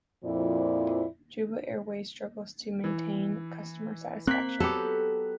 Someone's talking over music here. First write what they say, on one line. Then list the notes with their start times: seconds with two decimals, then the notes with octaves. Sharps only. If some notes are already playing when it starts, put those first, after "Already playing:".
Jubba airways struggles to maintain customer satisfaction.
0.24 F2 A#2 F3 E4 D5
2.84 E3
4.27 A#3 C4 F#6 B6
4.60 F#3 B3 G4 A4